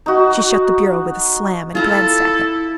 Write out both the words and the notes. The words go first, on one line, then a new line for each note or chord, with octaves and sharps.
She shut the bureau with a slam, and glanced at him.
D#4 F#4
E4 F4 A4 A#5